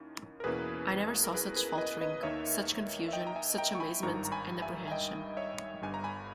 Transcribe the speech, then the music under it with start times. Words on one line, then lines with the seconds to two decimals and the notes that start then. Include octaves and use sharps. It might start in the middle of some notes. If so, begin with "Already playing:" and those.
I never saw such faltering, such confusion, such amazement and apprehension.
Already playing: D#2 D#3 C#4 E4
0.40 A#4
0.44 E2 B2 A#3 C#4 E4 G#4 B4
1.24 A#4
1.34 G#4 B4
1.56 G#4 B4
1.78 B4 D#5
2.01 B4 D#5
2.23 D#2 D#3 A#3 D#4 C#5 E5
3.08 E5
3.13 D#5 G5
3.27 A#5
3.36 E5 G#5
3.58 G5 A#5
3.75 C#6
3.80 G#5 B5
4.03 G#1 G2 D#3 G3 A#5 C#6
4.25 A#5
4.32 G#5 B5
4.62 E5 G#5
4.87 G#5
4.92 D#5 G5
5.37 C#5 E5
5.82 G1 G2 G3 G#5
5.94 A#5
6.04 G#5 B5